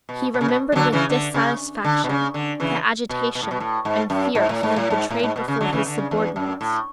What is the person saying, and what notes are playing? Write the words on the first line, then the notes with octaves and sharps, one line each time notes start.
He remembered with dissatisfaction the agitation and fear he had betrayed before his subordinates.
B2
B2
C#3
B2
G#3
D3 F#3
C#3 E3
D3
C#3
D3
B2
C#3
D3
C#3 E3
B2
B2
A2
B2
A2
G#2
F#2
G#2
A2
G#2
A2
G#2
A2
G#2
B2
C#3
D3 F#3
C#3 E3
D3
C#3
E2
F#2
A2